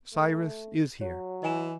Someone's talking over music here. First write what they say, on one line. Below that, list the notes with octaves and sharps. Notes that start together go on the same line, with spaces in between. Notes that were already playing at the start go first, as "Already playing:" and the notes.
"Cyrus is here!"
A3
F#3 C#5
E3 D#5 G#5 E7